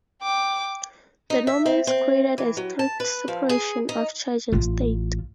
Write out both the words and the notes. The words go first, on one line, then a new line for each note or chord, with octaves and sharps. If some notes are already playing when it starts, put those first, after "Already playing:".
The Normans created a strict separation of Church and State.
G5 D6
D#4
E5
C4
C4
E3
F#3
A5
B4
F3
G#4
D#4
A1 F4